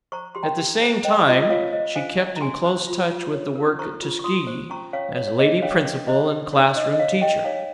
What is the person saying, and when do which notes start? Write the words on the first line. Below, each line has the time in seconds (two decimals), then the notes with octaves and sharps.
At the same time she kept in close touch with the work at Tuskegee, as lady principal and classroom teacher.
0.12 C5 A#5 C#6
0.35 G4 C6
0.43 G5 A#5
0.58 G4
0.82 C5
1.04 C5 D#5 G5
1.27 F4 D#5
1.42 D#5
1.50 F4 C#5 F5
1.73 C5 D#5
1.95 C5 F5 G#5
2.19 G4
2.36 A#5
2.41 G4 G#5 C6
2.65 C5
2.87 F4
3.10 F4
3.33 C#5
3.56 A#4
3.79 C5 A#5 C#6
4.02 F4
4.19 C#6
4.24 F4 C6 D#6
4.47 C5
4.70 C#4 A#5 C#6
4.93 C#4 C#5 F5
5.17 C#5
5.27 C#5
5.39 G#4 D#5
5.62 C#4 C#5 F5
5.85 C#4
6.07 C5 D#5
6.31 G4
6.53 D#4 C#5
6.76 D#4 D#5
6.93 D#5
6.99 C#5 F5
7.21 G4 D#5 G5
7.44 D#4 C#5 F5